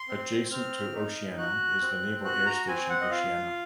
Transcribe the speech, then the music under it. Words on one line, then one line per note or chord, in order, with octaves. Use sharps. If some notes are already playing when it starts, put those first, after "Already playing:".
Adjacent to Oceana is the Naval Air Station Oceana.
Already playing: C6
C4
C4 F6
D#4
F#4 F#6
C4
F#4 F#6
A#5
C4 G#5
F#5
D#5
F4 F5